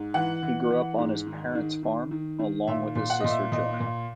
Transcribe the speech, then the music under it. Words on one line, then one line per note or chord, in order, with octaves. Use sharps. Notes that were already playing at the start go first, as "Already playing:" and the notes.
He grew up on his parents' farm along with his sister Joanna.
Already playing: G#2
E3 F#5
E3
E3
G#2
D#3
D#3
D#3
D#3
D#3
A#2 E5
A#2
F#5
A#2 D#5
E5
A#2 D#5
A#2